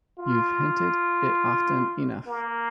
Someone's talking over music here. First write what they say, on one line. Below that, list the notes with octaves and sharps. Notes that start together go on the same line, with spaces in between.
You've hinted it often enough.
F4
A#3